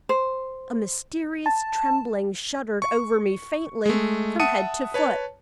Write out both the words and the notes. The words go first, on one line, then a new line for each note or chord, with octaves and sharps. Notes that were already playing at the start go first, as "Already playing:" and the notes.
A mysterious trembling shuddered over me faintly from head to foot.
C5
A5
C#6
G#3 A3
E5 F#5 A5 D#6 C#7 D#7
B4 C#5 A5